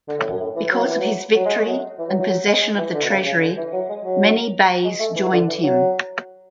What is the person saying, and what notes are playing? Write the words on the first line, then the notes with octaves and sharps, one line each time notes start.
Because of his victory and possession of the treasury many beys joined him.
D3
A2
F#2
A2
E3
F#3
E3
F#3
F#3
G#3
A3
F#3
E3
F#3
F#3
F#3
G#3
G#3
E3
D3
B2
C#3
C#3
D3
E3
F#3
G#3
F#3
G#3
A3
E3
D3
E3
F#3